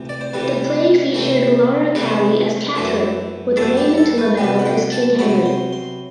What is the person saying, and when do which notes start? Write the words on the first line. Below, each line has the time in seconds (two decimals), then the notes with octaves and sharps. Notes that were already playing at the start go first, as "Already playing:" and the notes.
The play featured Laura Cowie as Catherine with Raymond Lovell as King Henry.
Already playing: D2 C3 E3
0.09 D5
0.21 C5
0.33 D2 C3 E3 G3 B4
1.14 C3 E3 A3
1.95 C3 E3 A3 B4
2.76 F#2 E3 A3
3.57 F#2 E3 A3 A4
3.77 G4
3.97 A4
4.18 B4
4.37 C3 F#3 B3 B4
4.59 F#5
4.65 G5
4.92 A5
5.19 C3 F#3 B3 B5
5.45 C6
5.73 C6